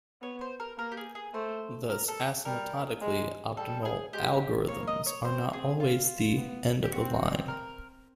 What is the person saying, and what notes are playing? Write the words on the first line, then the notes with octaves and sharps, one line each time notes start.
Thus asymptotically optimal algorithms are not always the "end of the line".
B3 C#5
C5
A#4
A#3 A#4
G4
G#4
G#4
A3 C5
A#4
A4
G3 A#4
G#3
G3 A4
G#4
G#3 G4
A#3 C#5
D#5
C#5
C4 C5
G#4
F4
B3
G4
C4 F#4
A#4